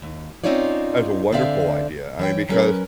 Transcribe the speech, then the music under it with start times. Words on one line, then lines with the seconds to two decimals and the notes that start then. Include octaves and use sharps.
That's a wonderful idea, I mean, because
0.02 D#2
0.44 C4 C#4 D#4 F4 C#5 D5
1.32 D3 C4 D5 E5 F5
2.19 E3 C#5 G5
2.49 F#3 C#4 A#4 B4